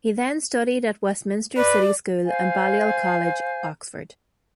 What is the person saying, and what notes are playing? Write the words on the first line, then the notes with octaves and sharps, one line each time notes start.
He then studied at Westminster City School and Balliol College, Oxford.
B4 D5
C5 F5 G#5